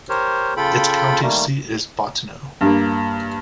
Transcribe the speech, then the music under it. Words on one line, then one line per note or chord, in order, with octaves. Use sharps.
Its county seat is Bottineau.
G4 A#4 C5 C#5
C#3 F4 A4 G5 B5
D#3 G3 A3 A#3
G2 A#3